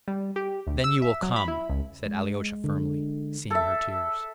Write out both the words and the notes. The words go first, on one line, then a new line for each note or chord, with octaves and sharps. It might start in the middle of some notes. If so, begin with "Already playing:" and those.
"Then you will come," said Alyosha firmly, seeing her tears.
G3
G4
D2
E6
E5
F#3
B5
E4
C#2
G#3
D3
A4 E5